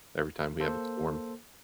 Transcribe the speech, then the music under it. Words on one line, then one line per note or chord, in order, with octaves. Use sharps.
every time we have a storm.
A#3 A4 C5